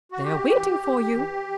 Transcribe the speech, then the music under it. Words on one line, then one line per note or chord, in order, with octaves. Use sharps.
They are waiting for you.
F#4
F#2 G4
E3
F#2
E3